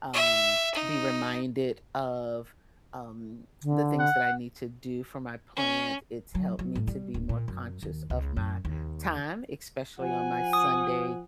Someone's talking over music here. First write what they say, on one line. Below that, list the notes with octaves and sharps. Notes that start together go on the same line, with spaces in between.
um, be reminded of, um, the things that I need to do for my plant, it's helped me to be more conscious of my time, especially on my Sunday
E5
D#4
D3
F#5
C#4
F#3
F#3
A2
G3
D1
A#2
F#2
D#2
C#2
F#2
D#2
F3 F#5 G#5
D#6